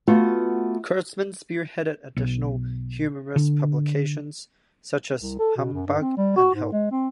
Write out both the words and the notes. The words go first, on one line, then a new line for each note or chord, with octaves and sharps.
Kurtzman spearheaded additional humorous publications such as "Humbug" and "Help!".
A3 B3 F4 F#4
B1
D3
C2
A4
B2
F#2
G2
C4
G3
F#4
G#2
G#3
C4